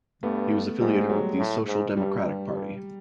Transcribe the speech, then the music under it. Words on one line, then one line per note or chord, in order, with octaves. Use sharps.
He was affiliated with the Social Democratic Party.
G2 A3 B3
G#2 G3 A3
F#3 G#3
A2
G#2
G2 G3
G2
G2